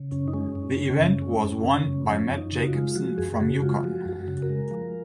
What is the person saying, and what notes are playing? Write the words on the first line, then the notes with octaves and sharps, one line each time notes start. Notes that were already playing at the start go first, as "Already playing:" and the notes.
The event was won by Matt Jacobson from Yukon.
Already playing: C#3
F#2 C#4
D#4
G#3 C#4
F#2
C#3
F#2
G#3
F#2
C#3
F#2
F3 C#4
F#2
D#4
C#3
F#4
F4
G#3
F3 F#4
F#2 G#4
C#3 F#4
G#3 F4
F3 F#4
F#2
F#4
C#3
A#4
G#3
F3